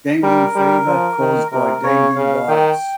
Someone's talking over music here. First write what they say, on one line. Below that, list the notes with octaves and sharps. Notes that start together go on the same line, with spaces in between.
Dengue fever caused by "Dengue virus".
G3 A#4
G3
F3
D#3
C3 A#4
C#3 C#5
C#3 F5
D#3 G5